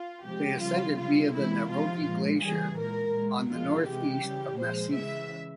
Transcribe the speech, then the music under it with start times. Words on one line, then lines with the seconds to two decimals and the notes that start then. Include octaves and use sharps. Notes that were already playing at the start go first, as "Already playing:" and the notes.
They ascended via the Niroghi glacier on the northeast of the massif.
Already playing: F4
0.25 C3 F3 G#3 G4
0.61 C#3 G3 F4
0.97 C#3 G3 F4
1.33 C3 E3 G#3 E4
1.70 C3 F3 G#3 F4
2.06 A#2 F3 G#3
2.41 C#3 E3 G3 G#4
2.78 A#2 G#3 A#4
3.14 A#2 G#3
3.50 A#2 F3 G#3 F4
3.86 C3 E3 G#3 G4
4.23 C#3 E3 G3
4.58 A#2 F3 G#3 C5
4.95 C#3 E3 G#3 E5